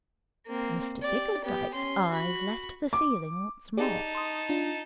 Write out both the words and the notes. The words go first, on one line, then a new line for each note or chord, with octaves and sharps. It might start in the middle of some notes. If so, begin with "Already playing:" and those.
Mr Bickersdyke's eyes left the ceiling once more.
A#3 C4
G4 D5
B3 G4
C#4 C6
F#4 B5
D6
D#4 G4 G#4 D5 A5
C6 D#6
D4 F4